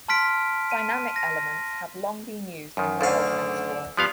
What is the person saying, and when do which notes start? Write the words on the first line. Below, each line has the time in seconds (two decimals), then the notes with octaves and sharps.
Dynamic elements have long been used in rail transport.
0.08 A5 C6 F6 B6 D7
0.71 D#7
1.16 A#6
2.77 F#2 D#3
3.01 D2 D3 F5
3.97 F3 G3 B3 F5